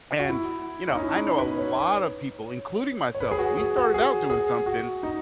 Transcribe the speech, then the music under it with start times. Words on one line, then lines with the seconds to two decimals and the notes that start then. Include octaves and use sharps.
and, you know, I know a lot of people, including myself, we started out doing something,
0.19 F#4
0.29 E4
0.88 C#4
0.95 D#4
1.02 E4
1.38 B4
1.58 C#5
3.15 C#5
3.20 B4
3.31 G#4
3.39 F#4
3.57 G#4
3.76 F#4
3.94 G#4
4.30 G#4
4.66 F#4
5.03 D#4